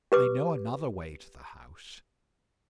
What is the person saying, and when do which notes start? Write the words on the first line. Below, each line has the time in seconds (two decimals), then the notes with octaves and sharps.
I know another way to the house.
0.12 G4 B4 D6